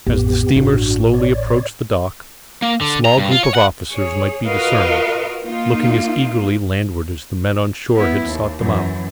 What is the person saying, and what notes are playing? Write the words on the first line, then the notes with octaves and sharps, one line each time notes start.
As the steamer slowly approached the dock, a small group of officers might be discerned, looking as eagerly landward as the men on shore had sought them out.
A1 F2 B3 G4
A1 G2 D4 F#4
C#5 D5
A#3
D3
A#5
G2
F4
C#5
F#5
G#4 C#5
F4 F#4 A#4 B4 D#5 F5
A#3 D#4 F4
B3 E4
D#2
F#2 E3